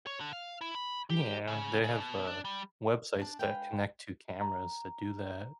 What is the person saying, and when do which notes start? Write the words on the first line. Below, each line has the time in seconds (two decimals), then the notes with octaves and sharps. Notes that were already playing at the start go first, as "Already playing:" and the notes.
Yeah, they have, uh, websites that connect to cameras that do that.
0.07 C#5
0.20 D3
0.33 F5
0.61 E4
0.75 B5
1.10 G4
1.47 C#3
1.84 C#3
2.00 B2
2.27 D4
2.45 G3
3.20 D4 A5
3.39 G#3 B4 F5 G5
4.41 A#5